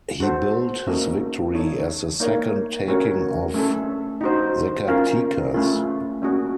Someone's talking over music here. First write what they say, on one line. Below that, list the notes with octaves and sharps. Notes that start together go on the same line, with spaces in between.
He billed his victory as the second taking of Zacatecas.
F#4 A4 C5 F#5
A#3 C#4 F#4 A4 D#5
D#4 A4 C#5
A#3 D#4 A#4 C#5 F5
A3 C#4 F#4 A#4 C#5
A3 C#4 A4
D#4 F#4 C5
C#4 F4 A#4 F5
A3 C#4 F4
A#3 C#4 F#4